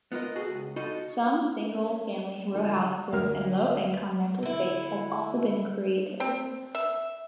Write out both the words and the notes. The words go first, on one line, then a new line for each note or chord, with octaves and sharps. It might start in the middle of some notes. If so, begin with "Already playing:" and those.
Some single-family rowhouses and low-income rental space has also been created.
B3 F4 A#4 D#5
F#4 G#4 A4
C#2
D#4 F4 F#4 A4 D#5
A#3 C#4
D3 F3 G3
D2 A#4 F6
D3 E4
C4
E5